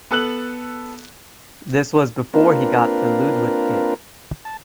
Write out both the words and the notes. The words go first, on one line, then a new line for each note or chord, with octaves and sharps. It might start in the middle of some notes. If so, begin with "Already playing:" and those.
This was before he got the Ludwig kit.
B3 A4 A5 F#6 F#7
A#3 C4 D4 F4 A#4 B4
A5